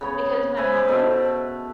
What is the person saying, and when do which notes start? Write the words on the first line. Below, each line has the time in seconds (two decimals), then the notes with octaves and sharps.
because my mom
0.01 C#3 B3 C#5
0.57 B4 C5 E5 G#5
0.88 B2 A3 A5